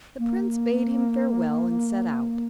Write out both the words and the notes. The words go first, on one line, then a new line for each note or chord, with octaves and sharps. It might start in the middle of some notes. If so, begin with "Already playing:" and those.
The prince bade him farewell and set out.
A#3